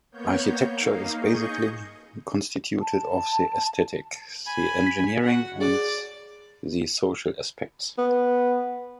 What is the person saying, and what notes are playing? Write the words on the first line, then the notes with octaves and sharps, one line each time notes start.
Architecture is basically constituted of the aesthetic, the engineering and the social aspects.
A#3 B3 C#5 G6
A#3 D#4 F5
G#4 D#5 C#6 G6
A5
G#5 B5
B6
F#4 F#5
G#4 D5
B3